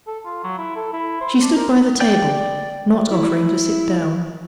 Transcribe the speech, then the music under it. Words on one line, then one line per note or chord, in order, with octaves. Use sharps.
She stood by the table, not offering to sit down.
A4
F4
F#3
E4
A4
E4
C5
D4
A#4
D5 G5 G6
E4